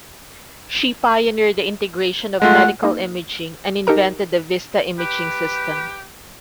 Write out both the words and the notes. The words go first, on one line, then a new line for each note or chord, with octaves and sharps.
She pioneered the integration of Medical Imaging and invented the Vista Imaging System.
G#3 A3 F4 F#5
A#3 D#4
D#4 G4 A4 A#4 A#5
G4 B4